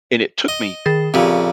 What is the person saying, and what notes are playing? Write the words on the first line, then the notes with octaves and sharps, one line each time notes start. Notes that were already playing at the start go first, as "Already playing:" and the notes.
And it took me
D#5
D#3 G#4 A6
A#1 C#3 C4 G4 A4